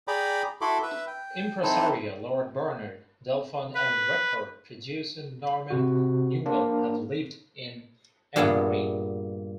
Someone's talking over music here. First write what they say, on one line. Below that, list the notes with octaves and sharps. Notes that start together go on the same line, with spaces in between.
Impresario Lord Bernard Delfont and record producer Norman Newell have lived in Angmering.
G#4 D5 G5 A#5 B5 D6
E4 F#4 A4 B5 C6 D6
B4 E5
G5
C4 D#4 E4 A4 C5
B4
C3 F#4
A#3 D4
G2 A#2 B3 G#4 E5